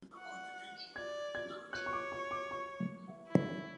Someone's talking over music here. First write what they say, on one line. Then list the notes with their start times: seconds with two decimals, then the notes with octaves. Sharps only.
Did you lose the argument to a man or a woman?
0.18 F#5
0.95 D5 G#6
1.35 G#6
1.73 C#5 F#6
1.86 C#6
1.93 D6
2.12 C#6
2.31 D6
2.51 C#6
3.28 E4